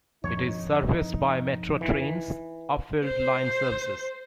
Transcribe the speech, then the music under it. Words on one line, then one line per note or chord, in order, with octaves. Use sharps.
It is serviced by Metro Trains' Upfield line services.
F2 G#2 D3 D#4 C#5
E3
C5